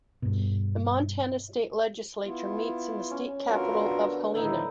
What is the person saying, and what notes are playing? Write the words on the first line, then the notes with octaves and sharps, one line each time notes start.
The Montana State Legislature meets in the state capital of Helena.
G2 B2
B3 E4 F4
C#4
D3 B3 F4 F#4 A#4
A2 D3 D#3 D#4 E4 A5